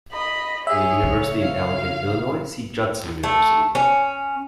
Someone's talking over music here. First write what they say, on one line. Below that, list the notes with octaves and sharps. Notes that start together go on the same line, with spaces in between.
For the university in Elgin, Illinois, see Judson University.
D#5 B5
G#4 C#5 E5
C#3
F5
A3
C#4